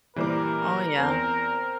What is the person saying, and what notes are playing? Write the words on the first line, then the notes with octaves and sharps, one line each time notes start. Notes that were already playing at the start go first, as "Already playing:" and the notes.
Oh, yeah.
A#2 E3 G3 A#4 C5 D6
E2 C4 C5 G#5